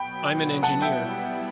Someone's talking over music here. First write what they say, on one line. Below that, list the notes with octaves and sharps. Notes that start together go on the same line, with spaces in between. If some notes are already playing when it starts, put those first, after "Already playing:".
I’m an engineer.
Already playing: B2 F#3 B3 G5 B5
G3 B3 E4 F#5 A5
E5 G5